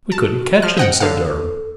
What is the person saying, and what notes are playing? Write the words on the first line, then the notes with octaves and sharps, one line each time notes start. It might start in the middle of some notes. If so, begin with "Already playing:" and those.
"We couldn't catch him," said Durham.
F#4 A5
F3 F6
C5 D#5 F#5 G5
D3 C#5 F5
A4